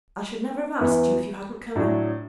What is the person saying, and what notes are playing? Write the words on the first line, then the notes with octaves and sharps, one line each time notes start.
'I should never have asked you, if you hadn't come in.
E2 E3 B3 E4
A2 F#3 D4